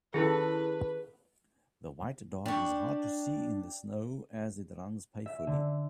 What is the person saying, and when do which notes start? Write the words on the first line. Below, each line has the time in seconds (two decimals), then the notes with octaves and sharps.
The white dog is hard to see in the snow as it runs payfully.
0.14 D#3 C#4 E4 G#4 A4 B4
2.46 D4 G4 C#6
5.26 E5
5.47 D3